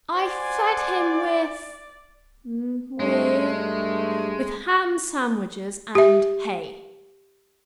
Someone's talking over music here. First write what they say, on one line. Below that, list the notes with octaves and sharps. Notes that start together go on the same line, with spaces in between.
I fed him with--with--with Ham-sandwiches and Hay.
C5 D5 F#5 G#5
G2 G#3 A3
G4 E5